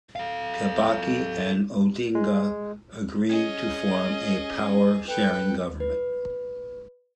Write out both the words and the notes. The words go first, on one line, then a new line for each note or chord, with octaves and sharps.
Kibaki and Odinga agreed to form a power-sharing government.
A4 F5
G#3
C#4 G#4 D#5
A4 B4 G5
B4